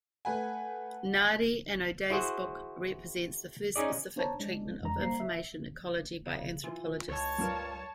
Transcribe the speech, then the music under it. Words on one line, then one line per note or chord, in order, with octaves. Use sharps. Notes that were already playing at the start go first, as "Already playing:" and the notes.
Nardi and O'Day's book represents the first specific treatment of information ecology by anthropologists.
A3 B4 F#5 G#5
E4 F#4 G#4 C5 F#5
C#4 D#4 G#4 D5
B3 D4 C5 C#5 A5 A#5
G#3 D4
F2 E3 G#3 D4 A#5
G3 A#3 C5 A#5 C7
E5
C#3
E3 F4
C#2 C#5 A5
G2 F4 A#4